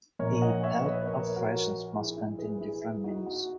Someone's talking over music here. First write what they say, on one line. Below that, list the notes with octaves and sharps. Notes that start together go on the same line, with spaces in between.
A pallet of rations must contain different menus.
A#1 A#2 A#4 C#5
D#5 F#5
C#5 E5
B4 D#5
A#4 C#5
F#4 A#4
E4 G#4
E4
G#4 B4
E4 G#4
E4
G#4
D#4 F#4
D#4 F#4